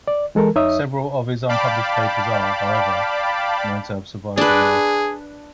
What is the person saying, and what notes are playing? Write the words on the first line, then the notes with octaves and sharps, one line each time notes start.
Several of his unpublished papers are, however, known to have survived the war.
D5
E3 G#3 A4 A#4
F2 D#4 C#5 E5 D#6
D5 F5 G5 A5 B5 D6
D4 G#4 B4